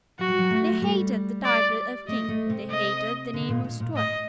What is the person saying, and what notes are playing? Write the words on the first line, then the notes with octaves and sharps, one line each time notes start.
They hated the title of King. They hated the name of Stuart.
F#3 F#4
G3
F#3
A3
G3
D5
A3 D#5
A3
C3
D#5
D3
A#2
A#2
A#2
A2 D#5